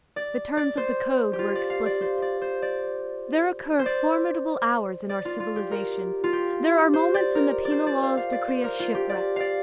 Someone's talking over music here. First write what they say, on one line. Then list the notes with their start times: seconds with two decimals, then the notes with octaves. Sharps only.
The terms of the Code were explicit. There occur formidable hours in our civilization; there are moments when the penal laws decree a shipwreck.
0.16 D5
0.57 D5
0.77 C5
1.33 G4
1.39 F4
1.55 D5
1.70 F5
1.86 D5
2.01 C5
2.22 D5
2.41 C5
2.62 D5
3.79 C5
3.86 D5
5.09 D5
5.25 F4
5.40 F4
5.56 G4
5.71 A#4
6.24 F4
6.33 G4
6.94 C5
7.14 D5
7.35 A#4
7.65 D5
7.71 C5
7.86 D5
8.03 F5
8.17 F5
8.32 D5
8.48 C5
8.64 A#4
8.80 F4
8.95 G4
9.09 D5
9.36 D5 F5